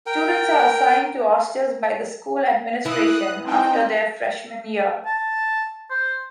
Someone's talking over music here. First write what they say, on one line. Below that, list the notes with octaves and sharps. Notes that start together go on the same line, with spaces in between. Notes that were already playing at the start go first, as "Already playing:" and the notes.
Students are assigned to hostels by the school administration after their freshmen year.
A#4 G5
E3 E4 D#6 F#6
C4 D#4 G5
A5
C5